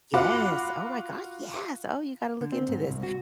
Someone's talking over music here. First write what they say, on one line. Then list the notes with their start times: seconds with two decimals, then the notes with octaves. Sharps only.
Yes. Oh my God, yes! Oh, you gotta look into this.
0.14 F4 F#4 F#5 B5 D6
2.41 D3
2.52 C4
2.68 G#2
2.89 C2
3.03 F#4